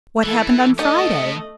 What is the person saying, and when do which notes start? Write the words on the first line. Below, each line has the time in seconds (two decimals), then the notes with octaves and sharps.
"What happened on Friday?"
0.23 E3 E4 A4
0.79 A3 B3 D#4 D#5 A5